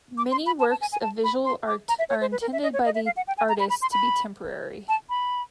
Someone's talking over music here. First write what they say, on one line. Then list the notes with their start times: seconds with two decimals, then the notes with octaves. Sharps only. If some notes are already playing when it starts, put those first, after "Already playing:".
Many works of visual art are intended by the artist to be temporary.
0.18 D6
0.31 C6
0.46 B5
0.60 A5
0.71 A5
0.81 G#5
0.92 G#5
1.02 A5
1.24 B5
1.45 C6
1.67 D6
1.89 A#5
1.99 E5
2.09 C#5
2.21 C5
2.32 B4
2.41 A#4
2.53 E5
2.63 D#5
2.73 C#5
2.85 D#5
2.95 E5
3.06 F5
3.17 F#5
3.28 G5
3.38 G#5
3.49 A#5
3.60 B5
3.70 B5
3.82 C6
3.92 B5
4.89 A5
5.10 B5